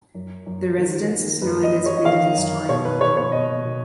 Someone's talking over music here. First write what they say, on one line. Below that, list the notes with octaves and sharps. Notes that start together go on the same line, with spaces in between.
The residence is now a designated historic building.
F#2
F#2
D#3
D#3
F#2 B4
D#5
F#2
C#5
D#5
D#3 F5
F#2
B2 C#5
B4
B2 C#5
C#5
B2 D#5
B2